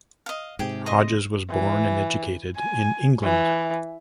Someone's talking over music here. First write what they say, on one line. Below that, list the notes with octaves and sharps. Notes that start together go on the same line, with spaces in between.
Hodges was born and educated in England.
D#5 F5
G#2 C3 G4 G#4 G5
D#5 C6
E3
G#5
E3